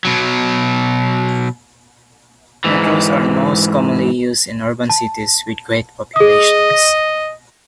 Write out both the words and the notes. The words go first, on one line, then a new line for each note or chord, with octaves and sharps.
Metros are most commonly used in urban cities, with great populations.
B2 F#3
G#2 E3
A5
G#4 D#5 D#6
A#6